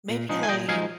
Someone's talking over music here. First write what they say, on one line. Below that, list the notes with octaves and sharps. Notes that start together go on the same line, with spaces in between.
Maybe, like
A#2
F3 G#3 D#4
G#5
A#2 D#5 G5
F3 G#3 D#4 F5 G#5